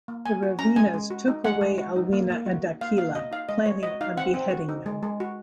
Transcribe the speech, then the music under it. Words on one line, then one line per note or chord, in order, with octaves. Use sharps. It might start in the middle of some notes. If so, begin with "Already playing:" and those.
The Ravenas took away Alwina and Dakila, planning on beheading them.
A#3
A#3 G#5
F#4
C#4 A#5
G#3 G#5
G#3
F#4
D#4
G#3 F#5
G#3
F#4
D#4
A#3
A#3
F#4
D#4
A#3 F5
A#3 F5
F#4 D#5
D#4 F5
G#3 D#5
G#3 C#5
F#4 D#5
D#4 F5
C4 F#5
C4
F#4
D#4
G#3
G#3
F#4